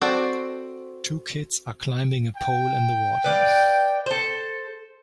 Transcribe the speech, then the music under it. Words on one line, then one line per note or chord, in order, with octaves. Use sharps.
Two kids are climbing a pole in the water.
C4 F#4 A4 C5 D5
G5
B4 D5 F5
A4 C5